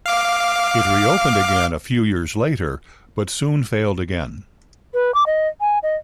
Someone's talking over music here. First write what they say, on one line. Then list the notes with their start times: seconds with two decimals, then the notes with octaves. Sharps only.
It reopened again a few years later but soon failed again.
0.06 F5 D6
4.94 B4
5.14 D6
5.26 D#5
5.61 G#5
5.83 D#5